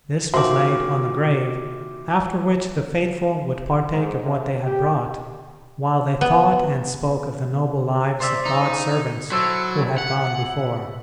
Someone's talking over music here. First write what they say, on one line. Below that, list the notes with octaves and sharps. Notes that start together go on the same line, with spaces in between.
This was laid on the grave, after which the faithful would partake of what they had brought, while they thought and spoke of the noble lives of God's servants who had gone before.
A#2 D#3 F3 F#4 B4 C5 E5 D6
G#2
C3
G4
B3
C5 D5 E5
D#4
F#3 E4 A4 C5
F#5